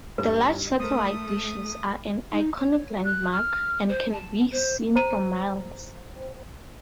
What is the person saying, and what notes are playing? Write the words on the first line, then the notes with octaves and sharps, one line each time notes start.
The large satellite dishes are an iconic landmark, and can be seen for miles.
G2 G3 B4
A3 A#4 C5 D#6
D#4
C#5
F#6
F6
C5
A5
C5
C5 A#5 D#7